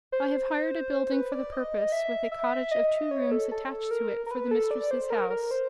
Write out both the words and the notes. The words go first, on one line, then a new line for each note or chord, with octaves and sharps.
I have hired a building for the purpose, with a cottage of two rooms attached to it for the mistress's house.
C5
B4
D5
D#5
E5
E5
D#5
C#5
A4
A4
A#4
A#4
B4
A4
D5
C5
A#4
A#4
C5